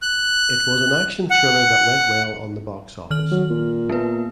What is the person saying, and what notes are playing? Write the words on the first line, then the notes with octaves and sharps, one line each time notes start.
It was an action thriller that went well on the box office.
F#6
F#5
D#3 F6 F#7
F#3
A#2
A#3 B3 B4